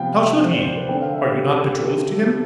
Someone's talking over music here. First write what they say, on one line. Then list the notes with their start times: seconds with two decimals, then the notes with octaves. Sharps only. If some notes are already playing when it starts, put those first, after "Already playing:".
How should he? Are you not betrothed to him?
Already playing: C3 F3 B3 F5 G5
0.16 E5
0.40 C5
0.53 D5
0.64 C5
0.77 B4
0.89 D3 A3 C4 G5
1.02 F5
1.14 E5
1.25 G4
1.38 G4
1.50 A4
1.62 A4
1.74 A4
1.86 G4
2.11 A4